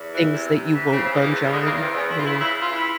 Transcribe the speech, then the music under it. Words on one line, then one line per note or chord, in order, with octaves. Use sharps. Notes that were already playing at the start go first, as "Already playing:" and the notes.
things that you won't budge on, you know?
Already playing: E2
E3
C3
C3
E3
C#3 C4
E3 G#3
A#3
E2
G3
C#3 G#3
A#3
E2
C4
E2 C#4
E2 E4
F4
E4
C#3
E4
C#3
F4
E3 E4